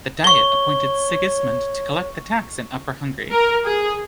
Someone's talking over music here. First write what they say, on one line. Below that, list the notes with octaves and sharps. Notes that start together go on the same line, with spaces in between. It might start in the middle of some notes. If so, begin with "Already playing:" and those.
The Diet appointed Sigismund to collect the tax in Upper Hungary.
C#5 C#6 G7
A#4
G#4